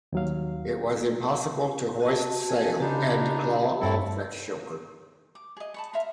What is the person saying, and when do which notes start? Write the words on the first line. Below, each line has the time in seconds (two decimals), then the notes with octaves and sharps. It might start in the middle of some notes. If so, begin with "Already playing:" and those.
It was impossible to hoist sail and claw off that shore.
0.13 D#2 F#3 F5
2.00 F#4 D#5 A5
2.49 G#5
2.80 C#3 D4 D#4 G4 B5
3.81 G2 G3 C4 E4 A4
5.35 D6
5.57 G#4 D#5
5.74 A5 B5 C#6
5.93 E5 F5 A#5 C6